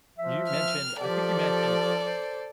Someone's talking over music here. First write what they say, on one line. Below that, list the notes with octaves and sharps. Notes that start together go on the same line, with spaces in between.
You mentioned, I think you mentioned
F3 E5
F6
F3 G4 A4 D5
C5